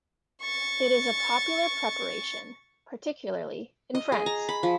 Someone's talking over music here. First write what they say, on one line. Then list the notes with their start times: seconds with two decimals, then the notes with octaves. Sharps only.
It is a popular preparation, particularly in France.
0.42 C#6 A6
3.95 D#5
4.12 G#4
4.26 A#5
4.49 B5
4.63 F3